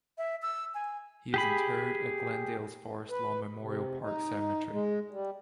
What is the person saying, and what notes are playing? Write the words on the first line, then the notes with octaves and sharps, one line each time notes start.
He is interred at Glendale's Forest Lawn Memorial Park Cemetery.
E5
E6
G#5
G4 G#4 B5
B4
C3
D#4
G#3
G3